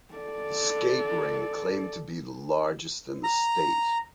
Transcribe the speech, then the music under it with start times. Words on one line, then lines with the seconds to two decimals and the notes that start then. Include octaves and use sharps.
The skate rink claimed to be the largest in the state.
0.14 A4 D5
3.24 A#5